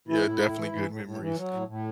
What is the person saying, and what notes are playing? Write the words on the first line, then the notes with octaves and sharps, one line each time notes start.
Yeah, definitely good memories.
E3 E4
A2
A2
E3
E3
A2
A2
E3
F#3
A2
A2